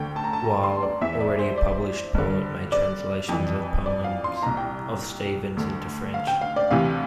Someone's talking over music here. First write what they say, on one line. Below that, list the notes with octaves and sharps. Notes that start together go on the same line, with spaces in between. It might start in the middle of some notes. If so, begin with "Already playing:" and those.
Wahl, already a published poet, made translations of poems of Stevens into French.
Already playing: D2 D3 G5
A5
A#5
A5
A#5
C6
D5
E2 E3 E5
D5
C5
D5
G2 D3
D5
F2 E3
D5
F5
C6
C2 A#2 A#5
G5
D2 D3
F5
G5
F5
D5
D2 C3 E3 F5